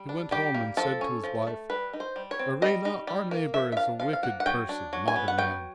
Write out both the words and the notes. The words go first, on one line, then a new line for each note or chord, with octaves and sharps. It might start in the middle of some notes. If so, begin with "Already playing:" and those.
He went home and said to his wife: "Arina, our neighbour is a wicked person, not a man."
Already playing: G3
D4
G3 G4
A#3
F3 A4
C#4
F3
A3
G3 B4
D#4
C5
G3
C#5
C4
G3 D#5
D#4
G3
A#3
F3 E5
E5
D4 F5
F3 F5
F5
A#3 F#5
F#5
F#3 G5
D4
F#3
G#5
B3
F#5
F#3 G5